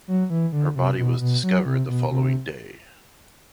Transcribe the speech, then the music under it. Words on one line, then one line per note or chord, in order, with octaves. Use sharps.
Her body was discovered the following day.
F#3
E3
D3
C3
B2
B2
F#3
C3
B2
C3